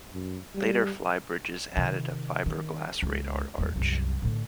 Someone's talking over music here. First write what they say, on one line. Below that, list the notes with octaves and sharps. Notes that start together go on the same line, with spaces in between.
Later flybridges added a fiberglass radar arch.
F#2
G3
C3 D#3
D#3
C#2
D#2 G3
C2 F#2
A2 D3